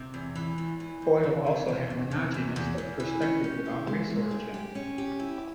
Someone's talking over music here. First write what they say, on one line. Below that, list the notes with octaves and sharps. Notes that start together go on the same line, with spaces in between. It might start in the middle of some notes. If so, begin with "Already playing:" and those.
Boyle also had a monogenist perspective about race origin.
Already playing: C3
E2
E3
E2
E3
E2
C3
E2
E2
E2
C3
E2
E2
E2
E3
C#4
G4
E4
G#3
G#3
G4
G4
C#4
G4
E4